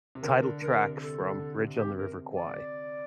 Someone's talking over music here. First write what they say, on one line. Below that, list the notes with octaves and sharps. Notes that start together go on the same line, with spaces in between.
title track from Bridge on the River Kwai.
C3
D3 A#4
D3
D3 A#4
C3
A4
D3
D3
C3
C3 G4
A#4
D5